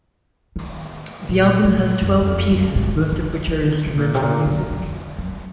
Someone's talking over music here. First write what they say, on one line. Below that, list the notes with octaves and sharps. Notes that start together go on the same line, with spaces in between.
The album has twelve pieces, most of which are instrumental music.
D#3
A#2
A#2
F#2
F#2
F2
F#2
G#2
D#3
D#3
C3
A#2
C3
A#2
F#2
F2
F#2